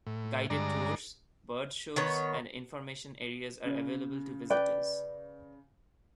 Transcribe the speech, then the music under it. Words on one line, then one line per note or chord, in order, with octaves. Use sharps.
Guided tours, bird shows and information areas are available to visitors.
A2
G2 D3 G#3 D5 A#5
D#3 B3 C#5
C#3
B4 D5 G5